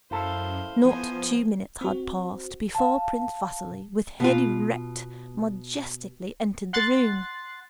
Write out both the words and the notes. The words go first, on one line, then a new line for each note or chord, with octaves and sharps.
Not two minutes had passed before Prince Vasili with head erect majestically entered the room.
F#2 E4 A4 C5 F5
F3 B3 C5 G#5
C4 F#4
F5 A5
B2 F4
F#5 C6 F#6 A6 C7